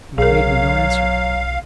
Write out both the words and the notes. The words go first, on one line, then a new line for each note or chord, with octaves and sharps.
She made me no answer.
B1 F#3 G#4 A#4 F5